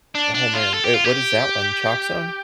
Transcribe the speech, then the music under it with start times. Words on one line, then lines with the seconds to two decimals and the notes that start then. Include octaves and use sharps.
oh, man, wait, what is that one? Chalkzone?
0.15 D4
0.34 D4
0.54 F4
0.74 A4
0.84 G4
0.94 F4
1.04 G4